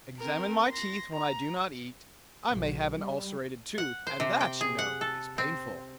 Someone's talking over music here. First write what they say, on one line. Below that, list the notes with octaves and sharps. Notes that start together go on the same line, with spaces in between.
Examine my teeth when I do not eat; I may have an ulcerated tooth, and that, you know, is painful.
C4 A#4
C6 A#6
A#5
B1
G3
F#5
C5
C3
G5
G#4
F#5
A4
C4